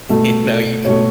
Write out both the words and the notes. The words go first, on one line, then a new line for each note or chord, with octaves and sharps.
You know, you
B2 A3
B2 A3 C#5